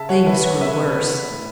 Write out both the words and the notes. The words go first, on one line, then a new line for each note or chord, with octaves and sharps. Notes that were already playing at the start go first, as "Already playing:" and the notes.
Things grew worse.
Already playing: C#3 E5 A5
C#5 F#5
E3 B3 B4 E5
C#5 F#5
C#3 B4 E5
E3 B3
A2